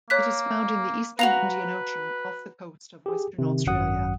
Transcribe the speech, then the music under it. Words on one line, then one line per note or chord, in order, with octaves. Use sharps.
It is found in the eastern Indian Ocean off the coast of Western Australia.
A#3 C#5 F#6 B6
F#4 B4 F5 A#5 F7
G4 G#4
C3 D#3
G#1 F#2 F#3 F#5 D#6